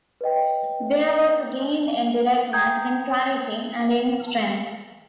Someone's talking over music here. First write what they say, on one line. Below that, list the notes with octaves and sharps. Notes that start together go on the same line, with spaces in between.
There was a gain in directness, in clarity, and in strength.
B4 C#5 D#5 G5
G5 A#5 D#6 G6 G#6